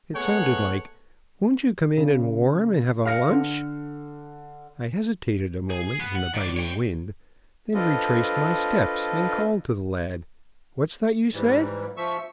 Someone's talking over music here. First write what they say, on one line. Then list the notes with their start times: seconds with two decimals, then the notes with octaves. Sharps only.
It sounded like, "Won't you come in and warm, and have lunch," I hesitated a moment in the biting wind, then retraced my steps and called to the lad: "What's that you said?"
0.15 A3 B3 G#4 A4 C#5 F#5
1.97 C#3
3.05 F5 F6 A#6 C#7
3.29 D3
5.70 G#4
6.00 B3
6.15 F#5
6.34 D#3 D5
6.56 C#5 G5
7.74 C4 D4 F4 A4 B4 D#5
11.34 G#2 E3 G3
11.97 F3 E5 C#6 E6